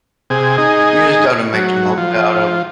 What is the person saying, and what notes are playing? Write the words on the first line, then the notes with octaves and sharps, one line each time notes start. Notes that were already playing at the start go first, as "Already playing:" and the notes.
you just gotta make the most out of
C3 G#4
D#4 G#4
F#3
F3